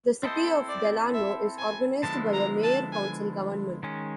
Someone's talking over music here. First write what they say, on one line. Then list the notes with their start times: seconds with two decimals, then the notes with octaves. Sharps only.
The city of Delano is organized by a Mayor-Council government.
0.23 C4 E4 A4 C5 D#5
0.69 D5
1.14 E5
1.59 G#5
2.03 D3 F3 G#3 B3 E4 A5
2.33 A#5
2.63 A5
2.93 G#5
3.83 D#3 G#3 C#4